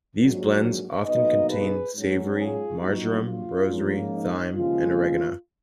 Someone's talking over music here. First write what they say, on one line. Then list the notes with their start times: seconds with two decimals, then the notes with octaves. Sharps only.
These blends often contain savory, marjoram, rosemary, thyme, and oregano.
0.18 A#1 G#2 F#3
1.05 B1 B2 A#3 D#4 B4 D#5
1.49 G#4 B4
1.93 G#2 F#3 C#4
2.37 F4 G#4
2.80 A#1 A#2 F#3 D#4 F#4
3.24 F4
3.68 G#2 F3 A#3 C#4
4.11 D#4
4.55 D#2 C#3 F3 G#3 F4